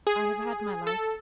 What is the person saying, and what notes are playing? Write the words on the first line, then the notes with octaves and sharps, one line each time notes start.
I have had my life.
G#4
A4